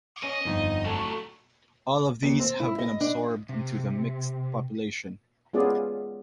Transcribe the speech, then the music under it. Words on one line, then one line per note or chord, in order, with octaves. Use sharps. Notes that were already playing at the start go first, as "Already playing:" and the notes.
All of these have been absorbed into the "mixed" population.
C#4 D#5
G1 F2 D#4
F#3 A3 A4
D#2
C4
E4
D#5
D4
C3
G#3 B3 C#4 F4 G#4 D5